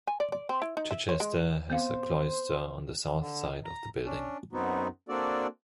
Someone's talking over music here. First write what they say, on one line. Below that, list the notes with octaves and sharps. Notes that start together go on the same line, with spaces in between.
Chichester has a cloister on the south side of the building.
G#5
D5
D5
C4
E4
D#4
E5
C#5
G#3
B3 C4 C5 F5
D3
A#5
C#4 D4
F#2 B3 C4 D#4 F#4
A#3 C4 D4 F#4 A4 D5